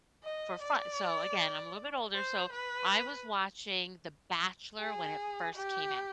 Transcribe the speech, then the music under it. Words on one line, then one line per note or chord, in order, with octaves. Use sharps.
for fu so, again, I'm a little bit older so, I was watching The Bachelor when it first came out.
D#5
D5
C5
B4
G#4
G4